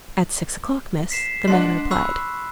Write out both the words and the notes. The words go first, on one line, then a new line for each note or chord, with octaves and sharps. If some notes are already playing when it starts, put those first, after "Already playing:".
"At six o'clock, miss," the man replied.
B6 C7 E7
G#3 D4 F#5 C6
B5 C#6 E6 F#6